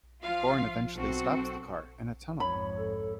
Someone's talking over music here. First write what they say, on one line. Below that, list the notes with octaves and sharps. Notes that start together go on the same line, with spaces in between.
Goran eventually stops the car in a tunnel.
F3 F4 F5
B1 C4 F#4 A4
F2 G#2 C#5 B5
A4